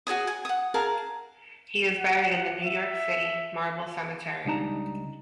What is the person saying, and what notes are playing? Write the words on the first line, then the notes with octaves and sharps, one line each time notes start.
He is buried in the New York City Marble Cemetery.
F#4 G#4 C#5 D#6
G#5
F#5 D#6
G#4 A#4 F5 A5
F#5
E5
C#2 G3 D4 D#4 A5 A#5